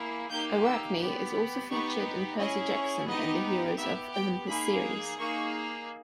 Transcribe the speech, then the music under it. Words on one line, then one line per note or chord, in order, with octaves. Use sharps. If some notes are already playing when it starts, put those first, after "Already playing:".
Arachne is also featured in the Percy Jackson and Heroes of Olympus series.
Already playing: A#3 E4 G#4
A#3 D#4 G4 G6
E6
B3 G4
B3 D#4 G4 C#6
C#4 E4 G#4 D#5
C#5
B3 D#4 G4 D#5
B3 G4 E5
G5
A#3 D#4 G#4 B5
A#3 D#4 G#4 C#6